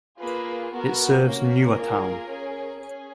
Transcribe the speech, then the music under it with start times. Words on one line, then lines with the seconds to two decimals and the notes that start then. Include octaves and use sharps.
It serves Nua town.
0.19 A#3 F4 G#4 B4
0.71 B3 F#4 A#4
1.23 A#3 C#4 F#4 A#4
1.75 A#3 F4 G#4
2.27 C#4 G#4
2.78 C#4 G#4